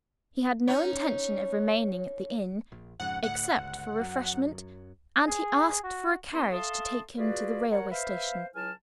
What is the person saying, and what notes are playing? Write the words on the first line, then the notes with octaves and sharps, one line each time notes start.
He had no intention of remaining at the inn, except for refreshment; and he asked for a carriage to take him to the railway station.
C#4 D#4 C#5
A#1
F2 G#2 C#3 F#5
D2 A2 F#5
G1 C#2
F#2 F#3
G#4
F#4
G2 C4 E4 C6
A4 E5 F5 A5 C6 D#6
F4 F#4 G#4 B4 D5
A#4 C#5 F#5
B4 C5 E5 F5
C#2 F#3 E4 G#5 A5 F6